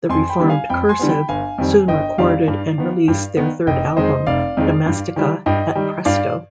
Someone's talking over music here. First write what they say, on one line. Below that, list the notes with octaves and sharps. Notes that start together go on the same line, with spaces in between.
The re-formed Cursive soon recorded and released their third album, "Domestica," at Presto!
F2 G#5 C6
G5 B5
D3 G3 B3
F5 G#5
F2 G5 B5
G#5 C6
D3 G3 B3
G5 B5
G1 F5 G#5
F2 D#3 G3 C4
G1 D#5 G5
F2 D#3 G3 C4 D5 F5
G2
D#3 B3
G2
D#3 B3
F1 D#5 G5
F2 D#3 G#3 C5 D#5
F1 D5 F5
F2 D#3 G#3
G2
D#3 G3
G2 D#5 G5
D#3 G3
G2 D5 F5